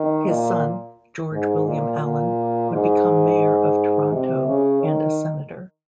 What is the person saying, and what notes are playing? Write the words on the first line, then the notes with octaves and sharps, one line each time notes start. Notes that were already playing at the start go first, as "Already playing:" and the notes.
His son, George William Allan, would become mayor of Toronto and a senator.
Already playing: D#3
A#2
G#2
A#2
A#2
G#2
C3
C#3
D#3